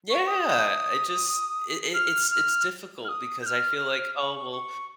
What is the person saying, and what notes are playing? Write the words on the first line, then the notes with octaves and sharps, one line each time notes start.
Yeah. I just it it it's it's difficult because I feel like, "Oh, well,
C#6
D#6
F6
F6
F6
D#6
G6
F6
F6
D#6
C#6
C#6